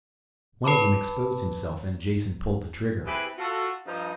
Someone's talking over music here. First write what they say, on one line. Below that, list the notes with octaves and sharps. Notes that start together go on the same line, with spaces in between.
One of them exposed himself and Jason pulled the trigger.
B4 A5 B5 D6
E3 C4 E4 G4 G#4 B4
F4 F#4 A4
G2 F3 D#4